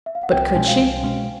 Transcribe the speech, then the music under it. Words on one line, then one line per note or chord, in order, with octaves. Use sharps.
But could she?
E5
F5
F#5
C2 G5
B2 G#3 C#4 G#5
F5
C2
B2 G#3 C#4